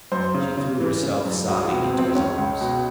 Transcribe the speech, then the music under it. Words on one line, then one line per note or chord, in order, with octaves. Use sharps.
She threw herself sobbing into his arms.
F#2 C5
C#3
C#3
E3
C#3
F#2
C#2 F#4
F4
B2
C4
C#2 C4
C#2 C#4
C#2
B2